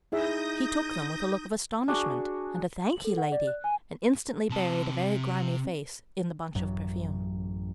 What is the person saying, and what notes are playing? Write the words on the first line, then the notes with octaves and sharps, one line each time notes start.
He took them, with a look of astonishment and a "Thank ye, lady!" and instantly buried a very grimy face in the bunch of perfume.
D#4 E4 G#4 E5 D#6 G6 A#6
D4 F#4 G#4
F#7
A4
F#5
D5
F#6
G#5
C3 A5
A1 F#2 F#3